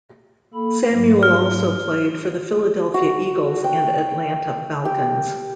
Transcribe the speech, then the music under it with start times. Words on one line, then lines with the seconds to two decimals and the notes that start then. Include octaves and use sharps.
Samuel also played for the Philadelphia Eagles and Atlanta Falcons.
0.54 A#3 A4 B5
0.92 G#2 F#3
1.23 F6
2.94 F#4
3.64 G5
4.85 G4